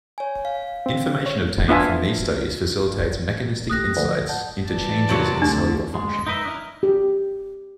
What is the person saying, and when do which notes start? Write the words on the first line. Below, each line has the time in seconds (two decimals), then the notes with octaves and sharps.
Information obtained from these studies facilitates mechanistic insights into changes in cellular function.
0.18 C#5 G#5
0.45 F5
0.86 C4
1.26 C#5
1.68 B3 D4 F4 E5 G#5
3.70 A3 A#3 G4 D#6 F#6 A#6
3.97 D2 F3 B4
4.29 F#5 A5 G6
4.69 E3 D5 A5
5.09 C3 F#3 A#3
5.42 D2 D4
5.94 G#3
6.26 D#4 A#4 B4 D#5 E5
6.45 D4 E4 A#4
6.83 G4